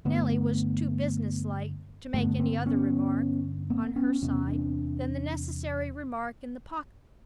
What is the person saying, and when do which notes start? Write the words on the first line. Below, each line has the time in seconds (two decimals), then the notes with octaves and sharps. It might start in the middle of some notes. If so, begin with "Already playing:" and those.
Neelie was too business-like to make any other remark, on her side, than the necessary remark in the pocket-book.
0.05 G2 D3 A3 B3
2.14 G2 D3 A3 B3
2.39 A#3 C4
2.66 B3 C#4
3.70 A#3 C4
3.96 B3 C#4
4.22 E2 C3 B3 C#4
4.48 C4 D4